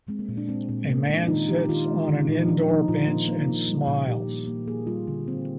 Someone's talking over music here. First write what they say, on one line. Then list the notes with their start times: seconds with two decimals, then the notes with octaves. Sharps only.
A man sits on an indoor bench and smiles.
0.08 G#3 C4
0.19 A#3
0.29 A#2
0.37 D4
0.49 G#3 C4
0.69 A#2 C4
0.88 A#2 A#3
1.08 G#3 D4
1.24 F4
1.28 D#3 D#4
1.48 D#3 G4
1.69 D#3 F4
1.88 G#3
2.08 D#3
2.28 A#2 D#4
2.48 F3 D4
2.68 F3 D#4
2.88 A#2 F4
3.08 A#3
3.28 A#3
3.48 A#3
3.68 G3
3.88 A#2
4.08 A#2 G4
4.27 A#3
4.47 A#3
4.67 A#3 G#4
4.87 G3 F4
5.07 D3
5.27 A#3 C4